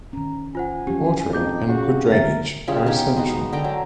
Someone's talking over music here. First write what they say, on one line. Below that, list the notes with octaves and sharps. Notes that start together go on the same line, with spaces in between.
Watering and good drainage are essential.
D#3 C#4 A#5
F4 C5 F#5 G#5
F3 F#3 C#4 G4
F2 D#4 D6 G6
C#3 F#4
D3 A#3 A#4 E5 A6
C#3 F4 G4 G#4
B3 D#4 F4 G4
G#3 B3 D#4 F#4
D3 D5 G5 A#5
F#3